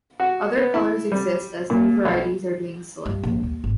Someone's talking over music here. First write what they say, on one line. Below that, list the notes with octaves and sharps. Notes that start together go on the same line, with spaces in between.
Other colors exist as new varieties are being selected.
F#4
B3
E4
G3
A#2
B1
G2
A#1
D#2
G#1